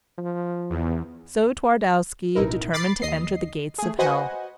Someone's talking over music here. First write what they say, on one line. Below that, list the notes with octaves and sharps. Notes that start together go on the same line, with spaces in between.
So Twardowski determined to enter the gates of hell.
F3
E2
A1 B2 D#4 E4 A#4
B5 D6 A6 C7
D#2 D#5 C7
A3 G#4
F#4 B4 C5 D#5 F#5 G#5